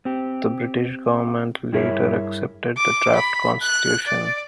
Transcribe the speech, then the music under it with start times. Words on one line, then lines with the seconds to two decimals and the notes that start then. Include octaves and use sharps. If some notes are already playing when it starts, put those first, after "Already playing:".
The British Government later accepted the draft constitution.
0.05 C4 G4
1.72 G2 E4 G#4 A#4 C#5 E5
2.77 D6
3.15 B5
3.61 F#6
4.06 D5